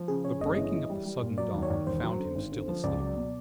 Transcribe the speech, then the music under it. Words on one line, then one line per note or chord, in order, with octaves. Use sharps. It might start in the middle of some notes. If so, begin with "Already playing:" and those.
The breaking of the sudden dawn found him still asleep.
Already playing: F3
C#3 G#4
C#3 C#5
G1 D#5
E3 D#5
E3
G3
G3
A#2
F#3 D5
D#2
C#5
D#2
E1 C5
F#3
D3
G#1
D3
F3
C#2 D5
F#3
B2